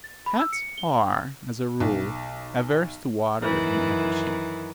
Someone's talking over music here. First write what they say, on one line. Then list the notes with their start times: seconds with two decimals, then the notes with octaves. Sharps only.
Cats are, as a rule, averse to water in every shape.
0.04 A6
0.26 B5
0.39 E6
0.53 C#7
0.78 G7
1.80 B1
3.41 F#2 D#3 E3